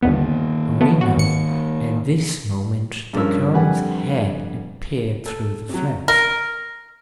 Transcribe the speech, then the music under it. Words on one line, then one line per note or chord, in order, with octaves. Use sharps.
Sure enough, at this moment the Colonel's head appeared through the flaps.
G1 D#2 A#2 D#3 B3
A3 B3
F#4
G#1 C#7
G2 F3 G#3 C#4 A#4 E6
F2 D3 G3 B4 F#5 G#5
A4
C3 F#3
A#4